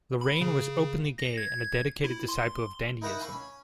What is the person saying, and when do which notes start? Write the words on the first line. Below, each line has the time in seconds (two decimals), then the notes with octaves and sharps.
Lorrain was openly gay and a dedicated disciple of dandyism.
0.21 B5
0.41 C#3
1.18 A#6
1.37 G#6
2.04 E4
2.28 C6
3.02 D#4 E4 A#4 F#5 B5 C#6
3.19 E5 F5 G#5 B5 C#6
3.33 C#4